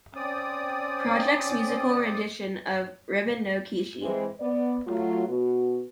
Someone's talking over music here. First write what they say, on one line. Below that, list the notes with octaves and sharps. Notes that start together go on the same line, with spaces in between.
Project's musical rendition of "Ribbon no Kishi".
C4 C#4 D5 D#6
E3 G#3 C4
B3 D5
F#3 A3 F4
B2 F#4